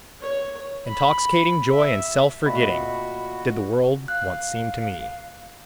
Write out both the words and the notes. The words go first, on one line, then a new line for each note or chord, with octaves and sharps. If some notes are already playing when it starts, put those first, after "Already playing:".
Intoxicating joy and self-forgetting, did the world once seem to me.
C#5
B5
E5
A#2 A3 C4 F#4 D#5 E5 B5
F5 F#6